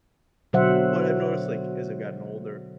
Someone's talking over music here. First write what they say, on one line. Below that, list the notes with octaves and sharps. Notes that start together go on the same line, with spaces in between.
But I've noticed, like, as I've gotten older
B2 D3 F#3 C5 E5 F#5